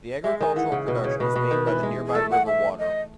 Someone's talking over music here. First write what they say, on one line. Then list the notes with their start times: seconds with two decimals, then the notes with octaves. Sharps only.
The agricultural production is made by the nearby river water.
0.24 G#3 E5
0.40 D#3 G#5
0.56 E3 F#5
0.72 C#3
0.88 B2 B4
1.04 C#3 C#5
1.19 B2 B4
1.36 B2
1.51 D#3
1.67 E3
1.83 G#3
2.06 G#4
2.15 A3 A4
2.31 F#5
2.46 E5
2.78 D#5